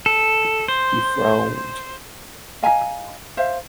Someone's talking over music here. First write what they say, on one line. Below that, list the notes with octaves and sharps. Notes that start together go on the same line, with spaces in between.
He frowned.
A4
C5
D#5 F5 G#5 A#5
C5 E5 F5